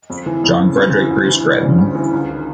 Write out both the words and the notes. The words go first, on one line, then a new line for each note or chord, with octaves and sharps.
John Frederick Bruce Gretton.
F2
E3
F2
C#3
F2
E3
D2
E3
G3
C#3
D2
E3
C#2
D#3